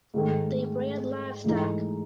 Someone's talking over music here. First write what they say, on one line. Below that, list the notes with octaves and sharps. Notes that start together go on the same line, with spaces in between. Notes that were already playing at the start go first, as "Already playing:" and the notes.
They bred livestock.
G#2 D#3 A3
G#2 E3 A3 D#4